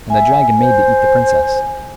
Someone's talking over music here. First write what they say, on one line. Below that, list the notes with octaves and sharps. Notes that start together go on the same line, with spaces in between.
And the dragon made to eat the princess.
E5 G#5
C5